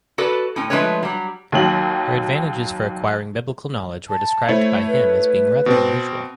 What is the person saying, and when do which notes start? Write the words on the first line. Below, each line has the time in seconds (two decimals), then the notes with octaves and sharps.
Her advantages for acquiring biblical knowledge were described by him as being rather unusual.
0.18 F#4 A4 B4 D5
0.56 A2 C4
0.70 F3 G#3 A3 D4 B4 C#5
1.02 F#3 G3
1.52 D#2 D#3 F#3 F#7
4.09 A5
4.48 A3 E4 C5 C#5
4.87 B4
5.66 B2 C4